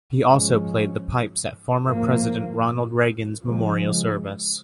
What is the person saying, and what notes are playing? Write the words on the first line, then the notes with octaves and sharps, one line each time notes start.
He also played the pipes at former President Ronald Reagan's memorial service.
G#2 F3 G#3 C#4
G#2 F3 A#3
C#3 F3 G#3